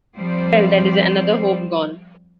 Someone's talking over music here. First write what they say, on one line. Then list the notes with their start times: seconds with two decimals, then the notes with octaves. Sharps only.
Well, that is another hope gone.
0.18 F3 G3 C4 C5 D5